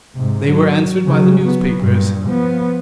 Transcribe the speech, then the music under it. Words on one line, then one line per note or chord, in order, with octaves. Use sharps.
They were answered by the newspapers.
G#2 C3
F#3
C#3 F#3
F#3 B3
G2 A#2
F3 B3